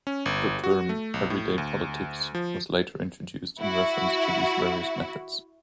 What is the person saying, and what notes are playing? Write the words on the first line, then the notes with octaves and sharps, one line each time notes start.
The term "everyday politics" was later introduced in reference to these various methods.
C#4
G1
F#4
A3
B1
A2
D2
F3
E4 F#4